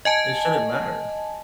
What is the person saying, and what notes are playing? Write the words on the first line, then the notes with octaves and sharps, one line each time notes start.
it shouldn't matter.
D#5 G#5 A5